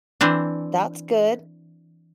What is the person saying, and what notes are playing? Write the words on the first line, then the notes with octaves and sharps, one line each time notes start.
That's good.
E3 C4 D4